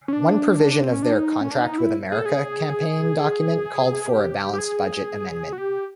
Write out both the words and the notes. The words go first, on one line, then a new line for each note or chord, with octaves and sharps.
One provision of their "Contract with America" campaign document called for a balanced-budget amendment.
C#4
D4
C4
C#4
D4
D#4
C#4
D4
D#4
E4
G#4
A4
G#4
G4
G4
G#4
F#4
G4